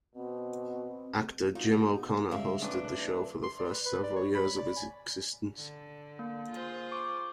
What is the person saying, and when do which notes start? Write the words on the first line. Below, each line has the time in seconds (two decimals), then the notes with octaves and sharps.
Actor Jim O'Connor hosted the show for the first several years of its existence.
0.15 B2 C4
1.55 B2 D#4 F4
2.31 C#3 G3 G#3 A#4 C5 E5 F5
2.62 A1 D4 B4
2.85 D#1 D5 F#6
3.43 C6
3.59 D5
3.70 B4
3.85 B4
4.04 D5
4.16 C#5
4.35 B5
4.59 D5
4.77 G#5
5.55 D3
6.19 A#3
6.50 F4 G#4 C5
6.92 C#6 D6